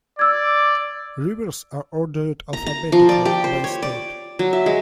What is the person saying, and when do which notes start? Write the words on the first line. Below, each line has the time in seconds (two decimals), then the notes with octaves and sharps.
Rivers are ordered alphabetically, by state.
0.19 D5 E6 G#6
2.53 A#5
2.66 A#5
2.92 F3
3.09 D5
3.25 G4
3.44 C5
3.64 C#5
3.82 D5
4.39 F#3
4.53 E5
4.66 G#3